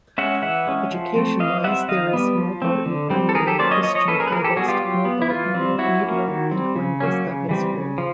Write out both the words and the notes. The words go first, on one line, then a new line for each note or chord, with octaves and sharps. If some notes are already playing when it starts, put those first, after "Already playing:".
Education-wise there is Mulbarton Primary; Christian Harvest; Mulbarton Remedial and Glenvista High School.
G#3 C#4 E5 F#5
E3 E5 F#5
G#3 C#4
F3
A3 C4
E3 D#5 F5
G3 C4 E5 F#5
D#3 D#5 F5
G3 B3
F3
A3 C4
D3
G3 C4
A4
D#3 G#4 A#4
G4 A4
F#3 A#3 C#4 C5 D5
C#5 D#5
F3 C#5 D#5
C#5 D#5
A#3 C#4 A4 B4
G#4 A#4
B4
E3 G#4 A#4
G4 A4
G3 B3 F#4 G#4
F4 G4
F#3
B3
E4
E3 F4
G3 C4
F#3 E4 F#4
A#3 C#4
D#3
G3 C4
C#3
F#3 A#3 C#4
C#3
E3 G3 C4
C#3
F3